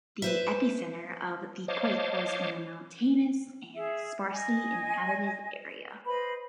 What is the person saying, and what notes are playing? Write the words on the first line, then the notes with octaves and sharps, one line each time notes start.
The epicenter of the quake was in a mountainous and sparsely inhabited area.
B4 C5 E5
C5 C#5 D#5 F5 A5 D6
G#4 E5
D#5 G#5
B4 C5 D#5 B5